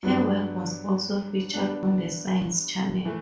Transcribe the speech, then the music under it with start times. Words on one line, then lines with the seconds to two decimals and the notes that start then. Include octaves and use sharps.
Her work was also featured on the Science Channel.
0.03 G2 F#3 B3 D4 G4
1.54 G3 B3 D4
3.05 E3 A3